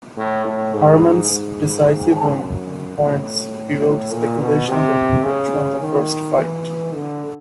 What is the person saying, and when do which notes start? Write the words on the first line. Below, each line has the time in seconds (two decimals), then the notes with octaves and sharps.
Herman's decisive win on points fueled speculation that he had thrown the first fight.
0.17 A2
0.45 A2
0.73 G#2
1.30 G#2
2.42 F#2
2.98 A2
4.11 A#2
4.40 B2
4.68 C3
5.23 C#3
5.81 D#3
6.37 E3
6.93 D3